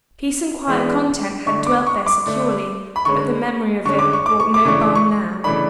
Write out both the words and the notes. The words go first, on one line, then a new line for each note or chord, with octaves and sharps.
Peace and quiet content had dwelt there securely, but the memory of it brought no balm now.
E3 G#3 B3 D4
D3 A3 D4 C#6
D6
C#6
D6
D3 A3 D4
B5
D3 G#3 C#4 C#6
D3 G#3 C#4 C#6
D6
C#6
D6
C#6
D6
C#3 E3 A3 D4 C#6
D6
C#6
C#3 E3 A3 D4 B5